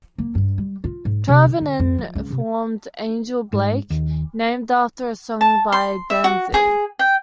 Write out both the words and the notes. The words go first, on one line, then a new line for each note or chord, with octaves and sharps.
Tervonen formed Angel Blake, named after a song by Danzig.
A#3
G2
G3
F4
G#2
C3
D3
D3
F2
F3
C#2
C3
G#2
D#2
A5
C6
E5
F#4
G#4
G5